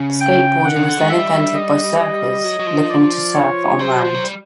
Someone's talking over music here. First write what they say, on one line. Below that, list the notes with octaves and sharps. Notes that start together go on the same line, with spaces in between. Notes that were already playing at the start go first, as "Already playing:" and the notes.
Skateboarding was then invented by surfers looking to "surf" on land.
Already playing: C#3
G5
F#5
C#3
D3
G#3
G3 E5
D#5
D#5
F#3
F#3
F3
D5
C#5
F#3 C5
F3
F#3
G3